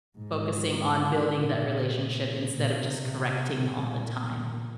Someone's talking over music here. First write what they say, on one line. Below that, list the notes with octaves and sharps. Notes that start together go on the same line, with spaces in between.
focusing on building that relationship instead of just correcting all the time.
G#2
A#2
A#2
C3
A#2